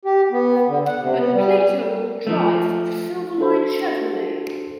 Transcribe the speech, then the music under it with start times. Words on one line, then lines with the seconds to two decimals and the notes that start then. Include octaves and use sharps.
But Plato will drive for Silverline Chevrolet.
0.05 G4
0.32 B3
0.68 D3
0.86 F#5
1.00 C3
1.17 B3
1.32 G3
2.27 F3 A3
3.38 D4 F#4 A4 C5